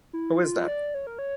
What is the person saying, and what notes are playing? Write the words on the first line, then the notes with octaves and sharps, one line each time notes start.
Who is that?
E4
F4
D5
C#5
A#4
C#5